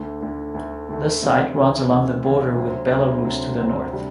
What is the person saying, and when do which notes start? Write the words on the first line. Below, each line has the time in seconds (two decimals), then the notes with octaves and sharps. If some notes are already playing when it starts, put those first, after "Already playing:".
The site runs along the border with Belarus to the north.
Already playing: D2 D3 A3
0.21 D2 D3 A3
0.54 D2 D3 A3
0.89 D2 D3 A3
1.22 D2 C3 E3
1.56 D2 C3 E3
1.90 D2 C3 E3
2.23 D2 C3 E3
2.57 D2 C3 F#3 C4
2.91 D2 C3 F#3 C4
3.24 D2 C3 F#3 C4
3.59 D2 C3 F#3 C4
3.93 C3 G3 D4